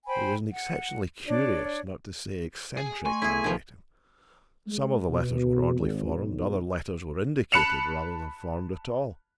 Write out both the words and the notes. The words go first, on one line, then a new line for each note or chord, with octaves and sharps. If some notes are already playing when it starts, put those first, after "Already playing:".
It was an exceptionally curious, not to say eccentric, handwriting--some of the letters were oddly formed, other letters were indicated rather than formed at all.
C5 G5 G#5 B5
F#5
D4 C#5 D5
G#4 G#5
A3 G#5 C6 C#6
B3 E4 G#4 A4 B6
D#3 F3 F5 G#6
G#3
B2
G#1
B1
A5 B5 F#6 C#7 E7 F7